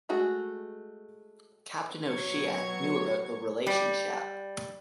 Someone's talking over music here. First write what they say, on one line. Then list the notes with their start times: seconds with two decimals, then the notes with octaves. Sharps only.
Captain O'Shea knew about the relationship.
0.09 G#3 A3 F#4 G#4
2.06 B2 F#3 C#5 C#6 G#6
3.67 G3